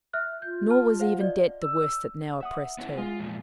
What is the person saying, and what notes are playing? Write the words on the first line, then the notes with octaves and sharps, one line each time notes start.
Nor was even debt the worst that now oppressed her.
E5 F6 F#6
F4 G6
A5 F6
C5 F5 F#5
D5 D#5
E6
E5 F#5 D#6
B3 C#4 E4
G#3 F4
E2 A#2 F3